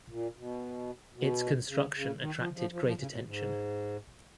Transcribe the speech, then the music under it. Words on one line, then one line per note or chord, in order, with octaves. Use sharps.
Its construction attracted great attention.
A#2
B2
B2
C#3
C#3
D#3
F3
F3
F3
F#3
F3
C#3
B2
G#2